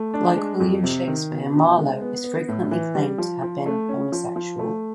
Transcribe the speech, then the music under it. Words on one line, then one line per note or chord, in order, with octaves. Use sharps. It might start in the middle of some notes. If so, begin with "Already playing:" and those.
Like William Shakespeare, Marlowe is frequently claimed to have been homosexual.
Already playing: A3
D4
G#3
F2
C3
D#3
B2
B2
G#3
B3
B3
A2
E3
G3
F3
F3
A3
C#4
F3
F3
A3